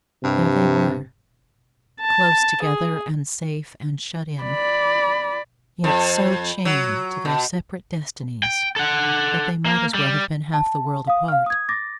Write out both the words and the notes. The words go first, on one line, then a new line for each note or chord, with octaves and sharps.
There they were, close together and safe and shut in; yet so chained to their separate destinies that they might as well have been half the world apart.
G2 C3
A5
G#4
D5 B5
F2
F#3
B2
G5
A4 F#5
A#3
G3
A5
F5 D#6
F5 F6
D#6 G#6
D6 A6 A#6